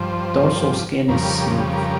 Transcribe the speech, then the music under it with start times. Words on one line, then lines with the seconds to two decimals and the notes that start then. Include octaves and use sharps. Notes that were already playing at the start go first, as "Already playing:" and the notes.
Dorsal skin is smooth.
Already playing: G2 F3 C5
1.08 F2 C#3 G3 A#4
1.73 A#4